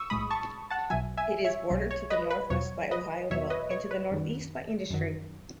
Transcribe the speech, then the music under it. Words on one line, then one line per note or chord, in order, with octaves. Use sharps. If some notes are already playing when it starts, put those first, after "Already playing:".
It is bordered to the northwest by Ohioville and to the northeast by Industry.
Already playing: C#6 D#6 E6
B1 A2 G#3 B5 D#6
A5 C#6
F#5 A5
B1 B2 F#3 E5 G#5
E5 G#5
C#5 E5
B1 B2 F#3
C#5
B4 D#5
B4
E2 B2 F#3 C#5
B4 D#5
E2 B2 F#3 C#5 E5
B4 D#5
C#5
B4
F#2 D#3 F#3
F#2 D#3 F#3